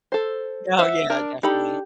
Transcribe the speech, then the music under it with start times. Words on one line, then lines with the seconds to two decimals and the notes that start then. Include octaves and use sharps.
Oh, yeah. Definitely.
0.12 A4 C5
0.79 C5 E5 F#5
1.10 D4 A#4
1.43 D4 D#4 G4 A4 B5